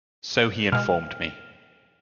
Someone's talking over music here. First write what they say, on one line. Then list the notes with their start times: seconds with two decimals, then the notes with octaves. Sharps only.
So he informed me.
0.72 B2 G#3 F6